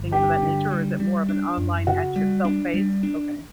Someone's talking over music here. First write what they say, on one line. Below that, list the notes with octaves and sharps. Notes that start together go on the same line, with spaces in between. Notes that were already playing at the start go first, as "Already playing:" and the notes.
things of that nature, or is it more of an online at your self-paced? Okay.
Already playing: G1
G2 G4
D3
G3
G3
D4
F#2
C#3 F#4
G3
D4
G3
D4